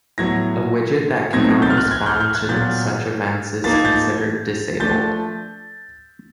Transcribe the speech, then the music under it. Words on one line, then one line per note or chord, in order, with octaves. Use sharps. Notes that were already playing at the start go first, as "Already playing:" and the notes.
A widget that cannot respond to such events is considered disabled.
A2 F#3 B3 G#6 A#6
B2 F#3 A3 C4 D#4 G#6 A#6
G6 A6
F6
F#6
G6
F#6 G#6
F6 G6
F6 G6
F#6 G#6
A#2 F#3 B3 G6 A6
F3 A#3 D#4 A6
G#6
G6 A6
F3 A3 D4 G6 A6